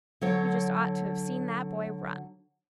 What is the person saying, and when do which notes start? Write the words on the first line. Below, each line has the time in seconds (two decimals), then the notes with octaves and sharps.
You just ought to have seen that boy run!
0.21 D3 F#3 C#5